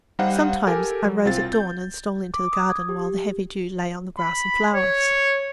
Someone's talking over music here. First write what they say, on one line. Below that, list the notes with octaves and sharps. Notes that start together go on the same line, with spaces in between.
Sometimes I rose at dawn and stole into the garden while the heavy dew lay on the grass and flowers.
G3 D#4 C5 F5 F#5
G4 A4 A#4 G#5
F#3
C2 C4 F4 A6
G6
D6
D#6
G#6
G4
B5
C#5